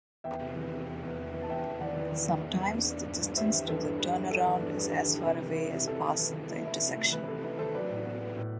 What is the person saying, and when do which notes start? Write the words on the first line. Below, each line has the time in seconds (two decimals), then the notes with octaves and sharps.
Sometimes the distance to the turnaround is as far away as past the intersection.
0.24 E2 E5 G5
0.41 C3
0.56 E3
0.72 C3
0.87 E2
1.03 E2
1.18 E2
1.34 E3
1.42 A5
1.49 E2 E5 G5
1.65 E2
1.80 E3 D5 F#5
1.96 E3
2.12 E3
2.27 E3
2.44 E2
2.58 E2
2.75 D4
2.90 D4
3.06 G2
3.22 G2
3.37 G3 C5 E5
3.53 E3
3.68 E3 A4 C5
3.84 G2
3.99 G3 B4
4.16 G3
4.31 D4 A4
4.47 E3
4.62 G2
4.78 G3
4.93 G3
5.09 E3
5.25 C3 B4
5.40 E3
5.56 E4
5.72 C3
5.87 C3 A4
6.03 C3
6.19 E3
6.34 E3
6.50 E4
6.65 E4
6.81 C3
6.96 A3
7.12 E3 B4
7.28 C3 A4
7.43 E4 B4
7.58 E3 A4 C5
7.74 F#3 B4 D5
7.90 A2
8.05 B3
8.21 B3
8.37 A2